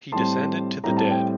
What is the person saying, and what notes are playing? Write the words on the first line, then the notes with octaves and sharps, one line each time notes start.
He descended to the dead.
A2 G3 C4 A5 C6
A2 G3 C4 A#5
A5
G5